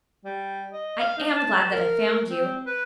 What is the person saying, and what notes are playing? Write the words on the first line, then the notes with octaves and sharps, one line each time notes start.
I am glad that I found you.
G3
D#5
F5
D#4
A5
A#4
C4
B4